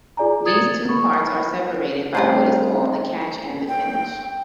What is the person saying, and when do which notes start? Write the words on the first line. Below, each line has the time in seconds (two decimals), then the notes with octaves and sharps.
These two parts are separated by what is called the "catch" and the "finish".
0.17 F4 G#4 D5 G#5 A#5
0.46 D#6 G#6 A6 C#7
0.89 B5 C#6
2.15 G3 A3 C4 D#4 F4 G#4 C5 G5
3.68 G5